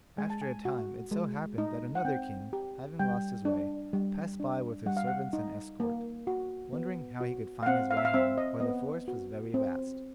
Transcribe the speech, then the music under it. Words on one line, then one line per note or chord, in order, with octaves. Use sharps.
After a time it so happened that another King, having lost his way, passed by with his servants and escort, wondering how he could find his way home, for the forest was very vast.
G#3 G#5
A5
G#5
F#4
G#3
D#4
F#5
C4 G5
G4
G3 G5
D4
G3
D4
G3 F#5
F5
F#5
D#4
A#3
F#4
B3
F#4
F5
C4 F#5
F5
E5
F5
C4 E5
D#5
B3 D#5
F#4
C4